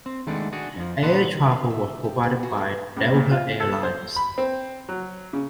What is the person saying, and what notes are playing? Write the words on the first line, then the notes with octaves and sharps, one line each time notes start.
Air travel was provided by Delta Air Lines.
C4
D#3 G#3 A3 B3 D4
D4 F#4 G#4
F2 F3
A#2 D3 B3 B4 A5 C6
D#3
F5
E5
G4
B3
F#4
A3
C#2
A#2
F4
A4
C5
B5
C4
F#3
C#3